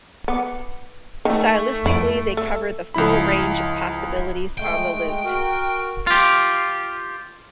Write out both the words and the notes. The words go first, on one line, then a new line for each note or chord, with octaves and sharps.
Stylistically, they cover the full range of possibilities on the lute.
B3 D6 C#7
D#3 A3 G5 G#5
F2 E4 D7
A3 E6
C#2 F3 E4 B5
G#3 A3 G5
F#4 A#4
F4 G4